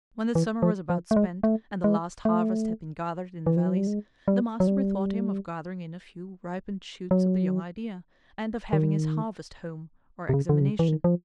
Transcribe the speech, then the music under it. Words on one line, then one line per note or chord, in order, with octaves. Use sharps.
When the summer was about spent, and the last harvest had been gathered in the valleys, the master bethought him of gathering in a few ripened shoots of the young idea, and of having his Harvest Home, or Examination.
E3
F3
F3
A3
G#3
A3
G#3
A3
E3
F3
F#3
G3
G#3
G3
F#3
G3
F#3
D#3
C3
C#3
D3
C#3
E3
D#3
F3